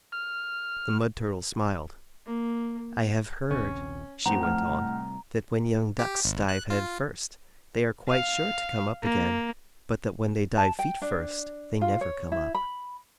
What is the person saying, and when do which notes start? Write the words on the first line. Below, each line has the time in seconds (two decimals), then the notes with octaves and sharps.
The Mud Turtle smiled. "I have heard," she went on, "that when young Ducks dive head first, they are quite sure to come up again, but that when they dive feet first, they never come up."
0.12 F6
2.26 A#3
3.51 A#1 D#2 C3 C#4
4.26 A2 F3 C4 F#5 A#5
4.43 A3 F#5 F6
4.68 C3 G3
5.99 G4
6.25 G#1
6.49 F#6
6.70 F4
8.08 F5
9.03 A#3
10.57 A5
10.79 G5
11.02 D4
11.81 F4
12.01 C#5
12.32 E4
12.55 B5